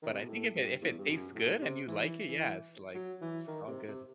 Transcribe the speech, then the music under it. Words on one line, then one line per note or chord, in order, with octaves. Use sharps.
But I think if it if it tastes good and you like it, yes, like, it's all good.
D#3
C3
B2
A2
G2
E2
G2
F#2
A2
C3
E3
E3
F#3
E3
D#3
C3
C3